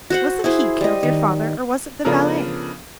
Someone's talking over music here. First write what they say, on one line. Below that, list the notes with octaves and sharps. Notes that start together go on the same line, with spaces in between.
Was it he killed your father or was it the valet?
F#4 C5 F#5
E4 G#4 C5
G3 D#5
D#3
C#3 F3 B3 D4 A4 A#4